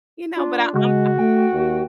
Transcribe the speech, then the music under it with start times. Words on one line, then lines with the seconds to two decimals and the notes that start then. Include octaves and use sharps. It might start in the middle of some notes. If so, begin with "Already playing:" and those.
You know, but I I'm
0.36 D4 F4
0.74 C#3 G#3 F#4
1.18 A3 G5
1.53 D#2